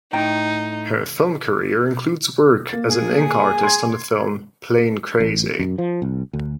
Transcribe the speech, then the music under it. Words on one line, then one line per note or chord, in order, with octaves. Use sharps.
Her film career includes work as an ink artist on the film "Plane Crazy".
A2 D#4 G5 A#5
A#3 A6
G#4 G#5
C6 G#6
A1
F#2
F3
C2
D2